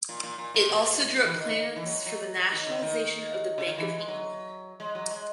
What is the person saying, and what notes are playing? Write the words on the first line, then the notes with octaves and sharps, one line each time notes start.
It also drew up plans for the nationalisation of the Bank of England.
A#2
A#2
A#2
A#2
B2
E3
D#3
C#3
D#3
E3
F#3
G#3
F#3
F#3
F#3
D#3
C#3
D#3
C#3
D#3
E3
E3
G#3
F#3
G#3
F#3
G#3